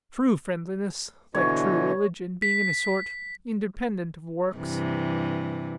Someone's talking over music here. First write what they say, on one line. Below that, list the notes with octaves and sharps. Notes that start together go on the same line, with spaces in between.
True friendliness, like true religion, being in a sort independent of works.
B2 D3 E3 C#5
B6
G2 C3 E3